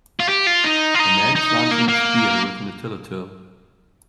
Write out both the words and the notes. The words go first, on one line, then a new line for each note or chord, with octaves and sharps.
A man is launching a spear with an atylatyl.
F4
G4
F4
D#4
F4
D#4
D#4
A#3
A#3